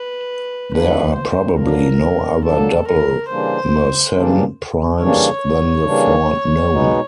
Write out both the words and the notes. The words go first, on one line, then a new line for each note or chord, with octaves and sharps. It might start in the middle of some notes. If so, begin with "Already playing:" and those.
There are probably no other double Mersenne primes than the four known.
Already playing: B4
F2 D3 F#3 A#3 D4 B4
C5
F2 D3 F#3 A#3 D4 A#4
F2 D3 F#3 A#3 D4 A4
A#4
C#3 E3 G3 A#3 D4 C5
C#3 E3 G3 A#3 D4
C#3 E3 G3 A#3 D4 C#5
C#3 E3 G3 A#3 D4
B2 G#3 B3 D#4